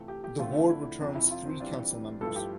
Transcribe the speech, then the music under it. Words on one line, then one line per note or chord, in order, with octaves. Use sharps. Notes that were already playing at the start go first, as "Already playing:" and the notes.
The ward returns three council members.
Already playing: C3 E3 A3 C4 F4
G4
G4
D3 F3 A3 C4 F4
E4
F2 C3 F3 D4
E4
F4
C4
E3 G3 D4 F4
G2 F3 A3 E4 A4
G4